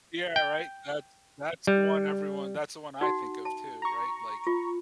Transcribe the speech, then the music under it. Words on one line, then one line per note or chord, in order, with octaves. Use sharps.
Yeah, right, that's that's the one everyone that's the one I think of too, right? Like
G5
G3
D#4 F#4 F#5
A5
A#5 C#6
F4